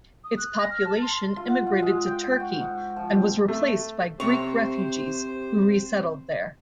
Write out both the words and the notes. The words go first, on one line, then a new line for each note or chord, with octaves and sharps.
Its population emigrated to Turkey and was replaced by Greek refugees who resettled there.
D#6
F#6
A#6
F6
A5
C6
F4
F#5
F4
G#3
G5
G5
F#4
G#2
F3
C4
A3
C3 C4 G4 C5 C#5